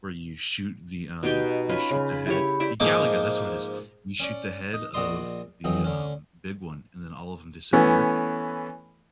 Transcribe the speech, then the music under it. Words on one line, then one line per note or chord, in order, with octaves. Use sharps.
where you shoot the um, you shoot the head y Galaga, that's what it is. You shoot the head of the, um, big one, and then all of ‘em disappear.
B2 D#4 G4 G5
C#4 F4 B4 G#5
C#3
B5
E4 G4 C#5
E4 G4 D5 E5
G#2 F3 A#3 D#4 D6
C#4 C#5 D5
D#4
A#1 F#4 D5 D#5 C6 D#6
F2 E3 F#3 D#4
D3 C#4
E3 A3 B3 C#4